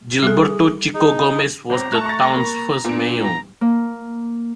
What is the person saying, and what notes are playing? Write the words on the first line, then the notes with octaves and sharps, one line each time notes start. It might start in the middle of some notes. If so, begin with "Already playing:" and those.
Gilberto Chico Gomez was the town's first mayor.
G3 G#4 A4
D#4 G#4
G1 C4 A#5
A3 A5 C#6 F#6
C#6 A6
A#3 B5
A#2 B3 D4 D7
A#5
A#3